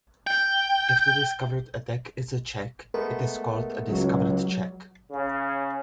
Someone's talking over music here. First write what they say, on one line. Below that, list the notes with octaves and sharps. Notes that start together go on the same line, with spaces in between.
If the discovered attack is a check, it is called a discovered check.
G5
G#3 A3 B3 A#4
C#2 F#3 G3
C#3